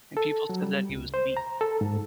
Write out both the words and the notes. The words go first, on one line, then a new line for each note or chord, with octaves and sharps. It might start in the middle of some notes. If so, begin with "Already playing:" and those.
And people said that he was weak.
A4
F#3
G3
C#2
C5
A#5
A4
G#2